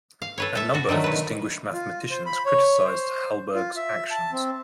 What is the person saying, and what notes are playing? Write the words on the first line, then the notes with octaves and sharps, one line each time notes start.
A number of distinguished mathematicians criticised Hallberg's actions.
F5
A4 B4 C#5
A4 E5
F#4 A4
D3 D#3 F#3 A3
B2 B4
F4
C5
B5
C#5
C5
F4
E5
A5
C4